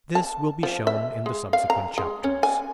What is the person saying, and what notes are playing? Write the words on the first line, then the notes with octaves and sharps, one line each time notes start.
This will be shown in the subsequent chapters.
A5
F3
E5
G#3
F5
A#5
G#3
C#4
G#5